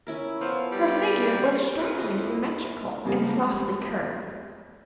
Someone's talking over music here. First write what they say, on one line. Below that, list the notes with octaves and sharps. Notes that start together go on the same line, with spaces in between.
Her figure was strikingly symmetrical and softly curved.
C#4 E4 A#4
F3 B3
G3
F2
E4 D#5
F2 C#3 G3 G#3 A#3